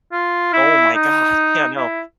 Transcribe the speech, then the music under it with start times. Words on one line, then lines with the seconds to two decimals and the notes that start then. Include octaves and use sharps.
Oh my god, yeah, no.
0.12 F4
0.53 E4
0.95 D#4
1.77 E4